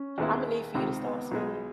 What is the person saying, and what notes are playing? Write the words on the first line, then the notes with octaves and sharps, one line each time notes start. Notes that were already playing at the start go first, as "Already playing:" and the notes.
Imma need for you to start swinging,
Already playing: C#4
D#2 D#3 G#3 B3 E4
C#2 C3 D#3 C4
B3
B1 B2 G#3